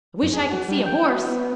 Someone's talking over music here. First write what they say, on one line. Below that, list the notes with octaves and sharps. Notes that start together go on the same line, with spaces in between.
"I wish I could see a horse."
F#2
G#4
F#4
G3
G5
F#4
B3